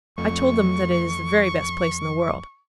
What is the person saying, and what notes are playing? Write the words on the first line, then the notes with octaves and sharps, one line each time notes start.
I told them that it is the very best place in the world.
F2 A3 C#6